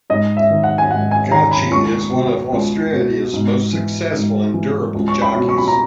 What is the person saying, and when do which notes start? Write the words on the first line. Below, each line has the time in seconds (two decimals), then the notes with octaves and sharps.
Gauci is one of Australia's most successful and durable jockeys.
0.10 G#2 D#5
0.37 E5
0.50 D#3
0.64 F#5
0.78 G#5
0.90 G#2 F#5
1.11 G#5
1.31 D#3 A#5
1.51 B5
1.71 C#2 C#6
2.12 B2
2.52 C#2
2.93 B2
3.33 G#2
3.73 E3
4.14 G#2
4.54 E3
4.95 C#2
5.08 C#6
5.22 B5
5.35 B2
5.49 C#6
5.58 B5
5.68 A#5